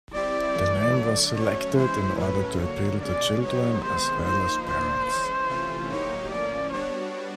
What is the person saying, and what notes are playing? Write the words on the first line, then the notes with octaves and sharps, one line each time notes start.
The name was selected in order to appeal to children as well as parents.
G3 C4 E4 G4 D5
A2 E3 A3
D3 F#3 A3
F#3 A3 C#4 C#5
E3 G#3 C#4 E4 C5
A2 F#3 A3 C#4 B4
D3 F#3 A#3 C#5
B2 G#3 C#4 D5
F#3 B3 D#4 G4 C#5
C3 D#3 G#3 B3 C5
F3 A#3 D#4 C5
A#2 F3 A#3 D4 C5
E3 G#3 C#4
C3 E3 A3 C#4 F4
A2 F#3 A#3 D#4 G4 C#5
A2 F3 A#3 C#4 D5
G3 B3 D4 F#4 C#5